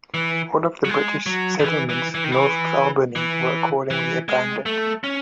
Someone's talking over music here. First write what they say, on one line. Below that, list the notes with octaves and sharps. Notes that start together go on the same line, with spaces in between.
All of the British settlements north of Albany were accordingly abandoned.
E3
F#3
G#3
F#3
D#3
E3
E3
E3
D#3
E3
E3
E3
G#3
A3
C#4